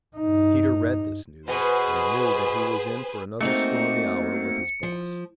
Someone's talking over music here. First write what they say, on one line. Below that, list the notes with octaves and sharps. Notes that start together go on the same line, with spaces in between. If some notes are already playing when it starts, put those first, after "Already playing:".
Peter read this news, and knew that he was in for another stormy hour with his boss.
G2 D#4
B2 G#4 B4 C5
A3 A#3 C4 D#4 F#4 C#7
F3